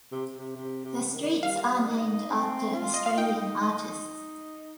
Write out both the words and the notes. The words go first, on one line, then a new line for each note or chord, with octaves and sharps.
The streets are named after Australian artists.
C3
C3
C3
C3
D#3
G3 F5
D#4
C4
F4
D#5
F5
D#4 G5
D#4